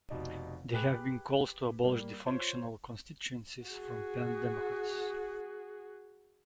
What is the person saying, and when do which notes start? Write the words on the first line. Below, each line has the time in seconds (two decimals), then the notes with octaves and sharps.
There have been calls to abolish the functional constituencies from pan democrats.
0.10 F1 B2 D#4 D5
0.74 G4 G#4 B4 G#5 B5 F#6
1.83 G3 A#3
2.26 F4 C5 C#5
3.66 F#4 G#4